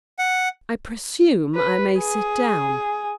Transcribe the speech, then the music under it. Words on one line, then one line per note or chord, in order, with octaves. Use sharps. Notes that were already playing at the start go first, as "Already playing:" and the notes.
"I presume I may sit down?"
F#5
B4
G#4